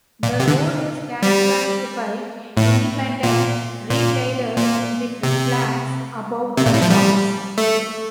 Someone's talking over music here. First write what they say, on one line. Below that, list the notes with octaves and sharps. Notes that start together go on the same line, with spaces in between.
The road is characterised by independent retailers with flats above the shops.
A#2
C3
D3
G3
A2
A#2
A#2
A#2
C3
C3
A#2
A2
F3
G3
A3